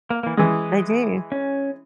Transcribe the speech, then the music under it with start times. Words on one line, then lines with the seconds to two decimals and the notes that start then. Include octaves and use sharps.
They do.
0.10 A#3
0.23 E3 A#3
0.37 E3 G#3 D#6
1.32 C#4